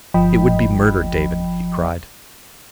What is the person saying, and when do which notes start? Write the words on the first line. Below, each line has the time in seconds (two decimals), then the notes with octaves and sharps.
"It would be murder, David," he cried.
0.14 G1 F3 D#5 G5 B5